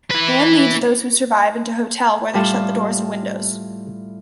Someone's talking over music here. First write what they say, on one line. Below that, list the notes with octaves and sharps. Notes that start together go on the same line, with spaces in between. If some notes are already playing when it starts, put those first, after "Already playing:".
Anne leads those who survive into hotel, where they shut the doors and windows.
E4 B4
A2 G3 F4 A5